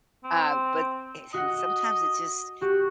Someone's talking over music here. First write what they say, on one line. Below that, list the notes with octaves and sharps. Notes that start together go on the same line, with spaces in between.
uh, but, eh and sometimes it's just
C4
F#4 D#5 F#5
F#4 G4